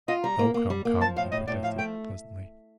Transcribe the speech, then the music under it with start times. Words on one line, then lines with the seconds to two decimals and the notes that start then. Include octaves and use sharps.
"Oh come, come!" he protested pleasantly.
0.08 F4 D#5
0.24 G3 A#5
0.39 A#3
0.54 A#3
0.70 G3
0.85 A#3
1.01 F3 A5
1.16 A2 F5
1.32 A2 D#5
1.47 A2 D5
1.63 F3 F5
1.78 A3 G5